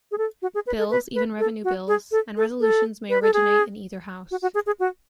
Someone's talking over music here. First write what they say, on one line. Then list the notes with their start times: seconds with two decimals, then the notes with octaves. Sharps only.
Bills, even revenue bills, and resolutions may originate in either house.
0.11 G#4
0.18 A4
0.42 F#4
0.55 G#4
0.67 B4
0.79 A4
0.90 B4
1.15 B4
1.39 A4
1.64 F#4
1.88 G#4
2.12 A4
2.37 A4
2.61 A4
3.10 B4
3.22 A4
3.34 G#4
4.31 F#4
4.42 F#4
4.54 G#4
4.66 G#4
4.80 F#4